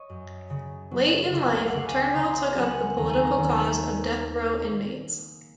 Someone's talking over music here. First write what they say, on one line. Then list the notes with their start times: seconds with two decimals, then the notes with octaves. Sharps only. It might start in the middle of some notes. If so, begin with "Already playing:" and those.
Late in life Turnbull took up the political cause of death row inmates.
Already playing: C#5 D#5
0.09 F#2
0.50 C#3
0.91 F#3
1.32 C#2
1.60 F5
1.68 F#5
1.74 C#2 F5
1.88 G#5
2.15 C#3 C6
2.56 F#3
2.63 F#5
2.70 G#5
2.97 D#2 A#5
3.10 G#5
3.23 A#5
3.38 D#2